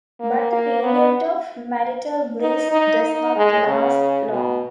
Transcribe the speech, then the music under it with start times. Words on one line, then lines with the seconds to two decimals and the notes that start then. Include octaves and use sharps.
But the period of marital bliss does not last long.
0.20 A#3
0.52 A#3
0.83 B3
2.41 D#4
2.72 D#4
3.03 D#4
3.36 G#3
3.67 C#3
4.30 B2